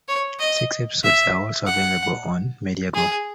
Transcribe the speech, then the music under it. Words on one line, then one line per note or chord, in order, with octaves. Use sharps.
Six episodes are also available on Media Go.
C#5
D#5
E5
F#5
G#4